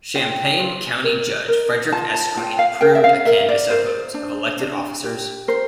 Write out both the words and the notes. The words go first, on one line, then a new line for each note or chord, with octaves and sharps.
Champaign County Judge Frederick S. Green approved a canvass of votes of elected officers.
F4 G5
F4
A#4
A#4
F4 A5
A5
F4 G5
F5
A#4 G5
E5
F5
A#4 E5
D5
A#4 C5
D4
D4
G4
A#4 C5